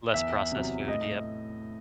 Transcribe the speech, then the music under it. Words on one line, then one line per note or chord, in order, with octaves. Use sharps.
Less processed food. Yep.
E2 E5
C3 F#3
A2 D#5